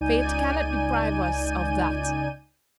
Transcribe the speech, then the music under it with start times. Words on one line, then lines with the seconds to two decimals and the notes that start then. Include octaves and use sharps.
Fate cannot deprive us of THAT.
0.01 C#2 D#4 D5 G#5 G6 D#7